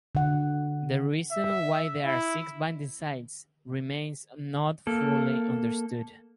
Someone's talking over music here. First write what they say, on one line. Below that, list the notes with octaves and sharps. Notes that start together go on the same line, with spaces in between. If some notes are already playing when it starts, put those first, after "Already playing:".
The reason why there are six binding sites remains not fully understood.
D3 F#5
E5
E4
A#3 A4